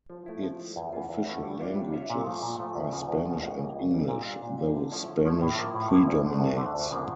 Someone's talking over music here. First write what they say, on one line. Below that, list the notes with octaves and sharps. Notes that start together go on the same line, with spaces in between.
Its official languages are Spanish and English, though Spanish predominates.
F3
A3 E4
F3
A3 E4
E2
E3 A3 C#4 F4
E2
E3 A3 C#4 F4
G3
D4 F4 C#5 E5
G3
D4 F4 C#5 E5
A#2
F3 A3
A#2
F3 A3
D2
C#3 F3
D2
C#3 F3
C#2
C#3 G3 A#3
C#2
C#3 G3 A#3
A#2
G3 D4
A#2
G3 D4
D3
F3 A3 C#4 E4
D3
F3 A3 C#4 E4
A2
F3 A#3 E4
A2
F3 A#3 E4
D2
D3 A3 D4
D2
D3 A3 D4
D2
C#3 F3 A#3 D4